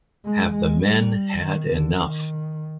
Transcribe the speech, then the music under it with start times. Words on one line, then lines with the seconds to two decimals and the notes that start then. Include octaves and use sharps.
Have the Men Had Enough?
0.25 G#3
0.54 G#3
0.83 G3
1.41 D#3
1.70 D3
1.99 D#3